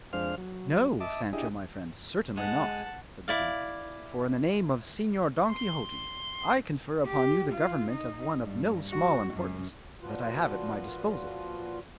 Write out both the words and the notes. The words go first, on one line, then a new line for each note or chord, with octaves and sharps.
"No, Sancho my friend, certainly not," said the duke, "for in the name of Senor Don Quixote I confer upon you the government of one of no small importance that I have at my disposal."
F2 G#3 D4 C5 F5 F6
F#3
D#5 E5 A5 D6
D4 E4 G4 G#4 D#5
G#3 F#5 A5
E4 D5 F5
C6
G4
F4
D#4
G2
F#4
F#2
A#2 F3 F4 F#4 B4